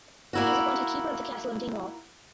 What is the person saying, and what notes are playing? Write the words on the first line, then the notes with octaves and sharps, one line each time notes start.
He was appointed keeper of the castle of Dingwall.
A#3 E4 F#4